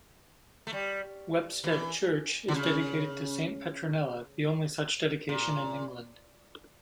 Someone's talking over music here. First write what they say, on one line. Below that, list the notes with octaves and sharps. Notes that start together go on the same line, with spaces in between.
Whepstead Church is dedicated to Saint Petronilla the only such dedication in England.
A3
G3
E3
D3
C#3
A#2